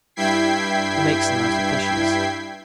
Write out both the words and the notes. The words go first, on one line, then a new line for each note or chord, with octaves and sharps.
He makes them out of fishes.
G2 E4 G5 G#6 B6 C7